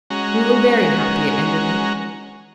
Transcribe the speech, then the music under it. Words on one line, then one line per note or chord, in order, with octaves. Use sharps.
We were very happy at Enderley.
G#3 C#4 F#4 A#5